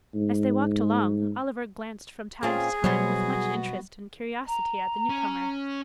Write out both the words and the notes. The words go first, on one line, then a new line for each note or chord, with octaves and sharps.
As they walked along, Oliver glanced from time to time with much interest and curiosity at the new comer.
G#2
A#2 C4 C#4 F4 G#4
B2 F#3 G3 B3 F#4 C5 C#5
A#5
C#4